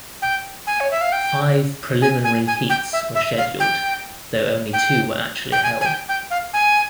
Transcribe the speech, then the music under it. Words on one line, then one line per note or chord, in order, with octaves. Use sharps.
Five preliminary heats were scheduled, though only two were actually held.
G5
G#5
C#5
E5
F5
G5
G#5
G#5
G#5
G5
E5
E5
F5
G5
G5
G5
G#5
G#5
G5
G5
F5
G#5